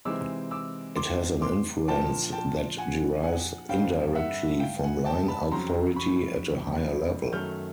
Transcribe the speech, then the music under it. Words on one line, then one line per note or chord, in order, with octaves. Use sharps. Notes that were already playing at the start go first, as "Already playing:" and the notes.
It has an influence that derives indirectly from line authority at a higher level.
C3 E3 G#3 C4 D#4 D6 E6
D6 E6
C6 D6
C6 D6
A#2 F3 A#3 D4 G5 A5
G5 A5
F#5 G#5
F#5 G#5
G2 D3 G3 C4 F5 G5
E5 F#5
F5 G5
F#5 G#5
G5 A5
A5 B5
F2 C#3 F#3 A#5 C6
B5 C#6
F#2 D#3 F#3 A3 F6 G6